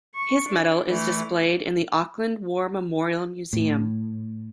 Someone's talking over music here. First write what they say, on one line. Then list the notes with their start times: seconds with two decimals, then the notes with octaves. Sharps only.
His Medal is displayed in the Auckland War Memorial Museum.
0.15 C#6
0.48 D4
0.88 E3 A3
3.53 A2